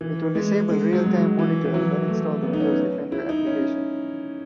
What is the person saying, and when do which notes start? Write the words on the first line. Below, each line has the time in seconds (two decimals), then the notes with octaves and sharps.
It will disable real time monitor and uninstall the Windows Defender application.
0.01 E3
0.35 G#3
0.69 G#3
0.93 F#3
1.06 G#3
1.17 F#3
1.39 E3
1.65 E3
1.74 F#3
2.08 A3
2.43 B3
2.53 D#4
2.60 C#4
3.12 E4
3.29 D#4
3.47 C#4